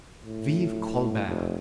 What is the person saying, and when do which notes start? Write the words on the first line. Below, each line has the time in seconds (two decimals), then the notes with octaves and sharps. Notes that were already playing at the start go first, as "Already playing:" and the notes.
Vive Colbert!
0.25 A2
1.27 F1